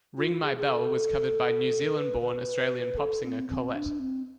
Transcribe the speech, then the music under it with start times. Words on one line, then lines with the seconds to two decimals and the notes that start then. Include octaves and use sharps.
"Ring My Bell" was covered by New Zealand-born, Australian pop singer Collette.
0.18 F4
0.43 G#4
0.58 G#4
0.69 A4
1.97 B4
2.21 B4
2.98 A4
3.24 C4
3.49 C4
3.75 D4
3.99 C4